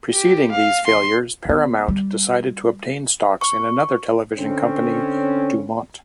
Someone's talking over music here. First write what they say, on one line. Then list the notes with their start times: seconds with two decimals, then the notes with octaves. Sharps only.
Preceding these failures Paramount decided to obtain stocks in another television company, DuMont.
0.13 G4
0.52 F5
0.87 C6
1.45 D3 B3
1.88 G3
3.41 C#6
4.38 D3 C4 C#4